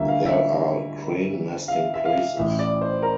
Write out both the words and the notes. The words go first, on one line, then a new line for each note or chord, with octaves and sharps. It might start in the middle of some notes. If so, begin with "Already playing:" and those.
There are crane nesting places.
Already playing: D2 D3 G3 A#3 E5
F5
E5
F5
E5
E5
F5
A1 A2 E3 E5
D5
C5
A#4